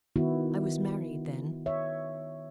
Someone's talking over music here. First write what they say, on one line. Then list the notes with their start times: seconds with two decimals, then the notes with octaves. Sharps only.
I was married then.
0.16 D#3 B3 E4 F#4
1.66 C#5 E5